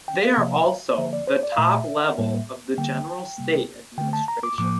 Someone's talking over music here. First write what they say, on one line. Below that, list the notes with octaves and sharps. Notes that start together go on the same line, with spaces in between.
They are also the top level of the General State Administration.
G5
F5
C3 F3 A#3
D3 F3 A#3 E5
D5
C5
D5
F5
A#2 A3 E5
A2 G3 A#3
D3 G3 A#3 G5
C3 G3 A#3
D3 A3 G5
A5
A#5
D6
A2 F3 A#3 D6